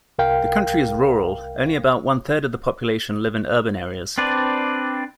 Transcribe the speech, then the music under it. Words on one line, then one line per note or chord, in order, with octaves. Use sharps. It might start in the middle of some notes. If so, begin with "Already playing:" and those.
The country is rural: only about one-third of the population live in urban areas.
C2 A#4 F5 G5
C4 D4 B4 D5